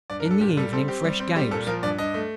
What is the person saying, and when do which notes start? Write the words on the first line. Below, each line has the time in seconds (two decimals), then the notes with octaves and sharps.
In the evening fresh gales.
0.10 G2 D5
0.20 A#4
0.25 G2
0.31 A4
0.41 A#2 G4
0.57 G3 A4
0.73 C4 A4
0.88 C4 G4
1.04 G3
1.20 C4
1.36 G3 G4
1.51 A#2 A4
1.67 F3 A#4
1.83 G2 D5
1.98 G2 D#5
2.14 A3